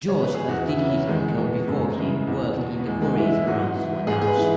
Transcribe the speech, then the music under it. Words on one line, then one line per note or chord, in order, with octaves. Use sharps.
George, as did his uncle before him, worked in the quarries around Swanage.
C#5
B4
G#4
E2 F#4
E4
C#3 E3
C#4
E2 G#3
B2 B3
F#2 G#3
C#3 E3 G#3
E2
B2
B3
E2 G#3
G#3
E3 E4
E4
G#2 F#4
E3
G#2 G#4
G#4
B4
E3